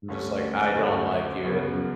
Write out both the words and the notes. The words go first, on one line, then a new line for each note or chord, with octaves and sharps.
I'm just like, "I don't like you, and"
D2 D3 A3 C#4
D2 D3 A3 C#4
F#2 C#3 F#3 B3